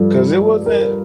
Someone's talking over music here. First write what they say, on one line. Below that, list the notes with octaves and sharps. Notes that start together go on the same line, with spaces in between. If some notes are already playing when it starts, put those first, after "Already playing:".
'cause it wasn't
Already playing: G2 F3 A4
A#4